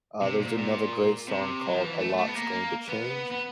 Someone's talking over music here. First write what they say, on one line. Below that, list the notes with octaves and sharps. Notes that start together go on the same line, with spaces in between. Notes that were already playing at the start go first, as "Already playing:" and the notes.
Uh, there's another great song called A Lot's Going to Change
C3
A#2
A#2
C3
F#3
F3
E3
A3
A3
B3
A#3
B3
B3